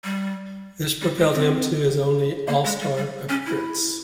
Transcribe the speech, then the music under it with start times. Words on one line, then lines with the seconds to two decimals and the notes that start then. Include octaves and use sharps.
This propelled him to his only All-Star appearance.
0.04 G3
1.02 G3
1.18 G#3
1.34 C4
2.48 A#3
2.65 G#3
2.81 G3
2.97 G3
3.29 C#4
3.46 E4